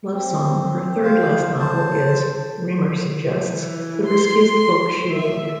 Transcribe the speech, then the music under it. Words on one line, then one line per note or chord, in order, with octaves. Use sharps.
"Lovesong", her third last novel, is, Riemer suggests, "the riskiest book she wrote".
C4
C5 F5
C5 A5
E3
C6
E5